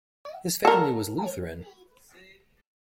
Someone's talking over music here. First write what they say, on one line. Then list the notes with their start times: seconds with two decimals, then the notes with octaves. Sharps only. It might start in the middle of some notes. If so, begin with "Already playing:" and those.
His family was Lutheran.
0.65 A4 A#4